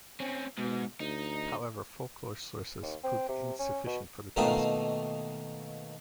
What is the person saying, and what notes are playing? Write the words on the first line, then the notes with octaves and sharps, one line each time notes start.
However folklore sources proved insufficient for the task.
C4 C#4
G#2 B2
D2 D#4
D#2
C4
C3
C#4
B2
B2 D#3 A3 A#3 D#4 F4